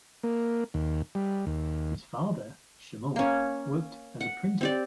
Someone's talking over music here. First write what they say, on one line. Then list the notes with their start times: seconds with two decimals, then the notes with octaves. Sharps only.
His father, Shmuel, worked as a printer.
0.23 A#3
0.74 D#2
1.15 G3
1.47 D#2
3.16 A#3 C#4
4.21 F#5
4.61 C4 G4 D5